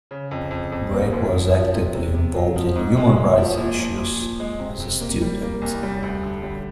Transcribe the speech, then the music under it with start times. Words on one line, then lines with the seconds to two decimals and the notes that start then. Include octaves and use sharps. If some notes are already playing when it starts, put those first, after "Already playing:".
Brake was actively involved in human rights issues as a student.
0.11 C#3
0.31 F2
0.51 F2
0.72 F2
0.92 A#3
1.12 D#2
1.33 F3
1.54 F3
1.73 C3
1.95 C3
2.15 C3
2.35 F#3
2.56 F3
2.76 G#2
2.97 G#3
3.16 G#3
3.37 F3
3.57 A#2
3.79 F3
3.98 A#2
4.19 F3
4.40 G#3
4.59 C3
4.80 C3
5.00 A#3
5.22 G3
5.42 A#3
5.62 C2
5.83 G3
6.03 D2
6.23 D3
6.43 G3